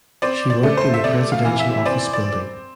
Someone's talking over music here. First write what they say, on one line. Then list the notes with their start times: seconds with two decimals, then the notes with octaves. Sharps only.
She worked in the Presidential Office Building.
0.22 C4 D5
0.50 D5
0.63 A3
0.77 C5
0.94 E5
1.04 C3 D5
1.32 F5
1.45 E3
1.59 E5
1.86 C4 D5
2.13 D5